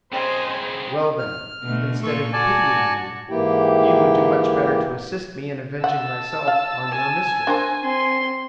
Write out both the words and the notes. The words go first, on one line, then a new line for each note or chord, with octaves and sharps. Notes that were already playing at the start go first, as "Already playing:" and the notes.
"Well, then, instead of pitying me, you would do much better to assist me in avenging myself on your mistress."
C#3 C4 C5 D#5 G5 G#5
F6
B2 D3 A3
A#2 F4 A4 C#6
F#4 D5 G#5 A5
G#2 E3 A#3 E4 G4 G5
F#5 A5 E6
F5
G#5
D4 A#4 C5
C4 C6